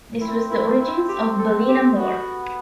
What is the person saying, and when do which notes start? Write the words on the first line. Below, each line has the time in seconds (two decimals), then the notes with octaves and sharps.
This was the origins of Ballinamore.
0.21 C4 E4
0.50 E4
0.80 E4
1.09 G4
1.39 A4
1.68 G4
1.96 B3 F#4